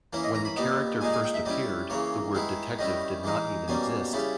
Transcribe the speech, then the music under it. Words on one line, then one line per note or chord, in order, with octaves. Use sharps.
When the character first appeared, the word detective did not even exist.
E3 A#3 C#4 E4
D#5
A#5
B5
A#2 G3 B3 D#4
A#2 G#3 D#4 G#5
G#5
G5
E5
G3 C#4 E4 D#5
C#3 E3 A#3 C#5
D#3 G#3 B3 E4
D#3 G3 C#4 E4 D#5
E3 G#3 D#4
B2 G3 A#3 C#4 G#5
C#3 G3 C#4 E4